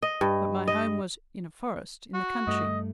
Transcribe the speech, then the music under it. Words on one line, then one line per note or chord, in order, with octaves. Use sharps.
But my home was in a forest; in the country.
D#5
G2
D#5
F#4
G2 A3 D#5